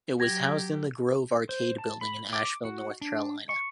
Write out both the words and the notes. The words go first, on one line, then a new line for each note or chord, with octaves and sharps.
It was housed in the Grove Arcade Building in Asheville, North Carolina.
F#3 G4 G#6 A#6
C5
A5
B5
D6
F#4
D4
C#6